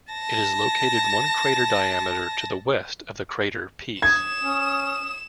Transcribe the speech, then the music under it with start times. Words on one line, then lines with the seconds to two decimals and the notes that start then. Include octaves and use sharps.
It is located one crater diameter to the west of the crater Pease.
0.13 A5 A#6
4.02 D#6 G#6 E7
4.43 C#4